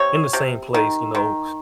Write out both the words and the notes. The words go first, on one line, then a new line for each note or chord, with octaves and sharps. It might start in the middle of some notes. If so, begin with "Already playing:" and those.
in the same place, you know
Already playing: C3 C#5
C3
D#3
D#3